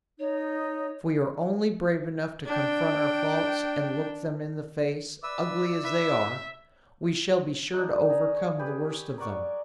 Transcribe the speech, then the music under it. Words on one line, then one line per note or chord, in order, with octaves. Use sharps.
If we are only brave enough to confront our faults and look them in the face, ugly as they are, we shall be sure to overcome the worst of them.
D#4 C#5
D4 G5
B4 D5 E5 E6
B4 E5
D4 D#4
G#4 A#5
C#5
G4 G#4 B4
A#4 D5 F#5 C#6